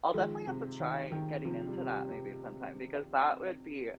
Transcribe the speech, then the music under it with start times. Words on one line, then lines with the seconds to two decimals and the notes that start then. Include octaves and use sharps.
I'll definitely have to try getting into that maybe sometime because that would be
0.14 D#3 F3 G#3
0.47 C3
0.80 D#3
1.12 D#3
1.45 C3 F3
1.67 G3
1.78 C3
1.89 G3
2.11 C3